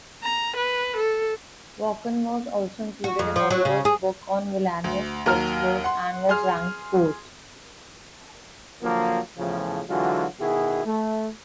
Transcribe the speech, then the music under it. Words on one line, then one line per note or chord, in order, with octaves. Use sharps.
Vachon was also included in Oliver's book on villainous wrestlers and was ranked fourth.
A#5
B4
A4
F#4
F2
F3
F#3
C#3
G#4
D2
D#2 F#3 A#4 A#5 F6
F#5 C6
G#4 C6 F6
D3 F3 F#3 A#3
E2 A2 C#3 F3
D3 E3 F#3 G#3 F4 F#4
B2 D#3 E4 F#4 G#4
A3